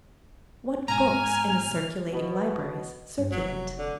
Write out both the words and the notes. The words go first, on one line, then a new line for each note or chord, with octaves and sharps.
What books in the circulating libraries circulate?
G#2 B2 G#5 A#5 F6
B2
G2
F1 F#3
D3